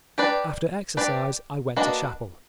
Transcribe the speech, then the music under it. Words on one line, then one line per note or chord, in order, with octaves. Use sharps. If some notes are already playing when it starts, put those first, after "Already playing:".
After exercise I went to chapel.
D4 G4 B4 D5
D4 G4 B4 D5
A#3 D4 F#4 B4 D#5